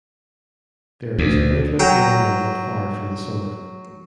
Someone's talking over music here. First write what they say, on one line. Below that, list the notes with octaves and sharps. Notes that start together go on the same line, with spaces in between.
There is an outlook area not far from the summit.
D2
F#3 G5 A#5